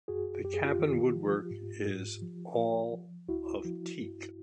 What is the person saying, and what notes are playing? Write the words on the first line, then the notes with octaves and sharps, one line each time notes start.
The cabin woodwork is all of teak.
F#2 F#4 G#4
F#2 G4
G#4
F4 G4
D#3
F3
G#2
G#2
F3
F3
F3
D2 E4 F#4
F3
G2